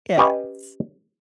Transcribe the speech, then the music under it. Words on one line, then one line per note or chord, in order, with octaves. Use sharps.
Yeah, it's
C#4 G4 B4 C#5 D#5